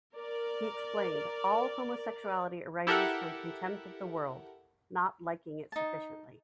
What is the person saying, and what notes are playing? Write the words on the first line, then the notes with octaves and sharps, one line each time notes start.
He explained: All homosexuality arises from contempt of the world, not liking it sufficiently.
A#4 D5
E4 G4 A4 A#4 E5 F#5
D#4 A5